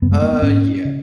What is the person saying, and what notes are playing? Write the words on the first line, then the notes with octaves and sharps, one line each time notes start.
Uh, yes.
F#2 C#3 B3
G#3
A#3
B3
G#2 C#4
C#3